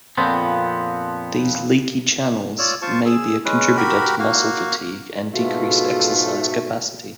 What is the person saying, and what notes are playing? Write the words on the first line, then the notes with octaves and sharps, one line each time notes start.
These "leaky" channels may be a contributor to muscle fatigue and decreased exercise capacity.
F2 A#2 F3 B3 C4
F4 C#5 D5 E6
F4 C5 A5 C#6
G#4 E6
G#3 C#4 B4
F#4 G4 A#4 B5
A#3 F#4 F5
G#2 B2 A3 F4 F#4